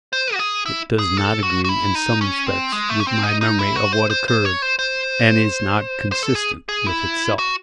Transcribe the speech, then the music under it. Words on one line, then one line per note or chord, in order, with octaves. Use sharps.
It does not agree in some respects with my memory of what occurred, and is not consistent with itself.
C5
F#4
G#4
E4
G#4
A4
F#4
F#4
E4
D#4
C#4
C4
G#3
A3
C#4
C4
D#4
D#4
E4
F#4
C5
C5
C5
C#5
C5
C5
C5
A4
G#4
G#4
E4
F#4